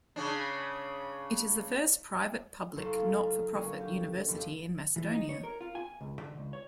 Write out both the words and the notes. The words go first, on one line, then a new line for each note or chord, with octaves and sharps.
It is the first private-public not for profit university in Macedonia.
C#3 C#4 D4
F#1 F#2 F4 A4
D3 F#3 A#3 C#4
G4
A#1 F2
E3
D#4
C#5
A#4
F4
G#5
C#2
D3
C#2
C#5